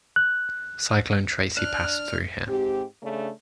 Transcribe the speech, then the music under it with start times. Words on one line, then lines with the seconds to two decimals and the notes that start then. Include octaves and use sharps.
Cyclone Tracy passed through here.
0.16 F#6
1.57 D4 F6 F#6
2.48 G#2 C4 G4
3.03 C#3 A3 D4